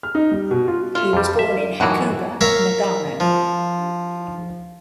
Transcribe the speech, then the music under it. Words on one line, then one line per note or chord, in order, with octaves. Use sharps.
He was born in Hakuba, Nagano.
F6
D#4
G3
B2
F4
A3 F4
F2 G3
E5
F#2 A2 D#3 E3 F#4
A#4 C#5 E5 F5
F3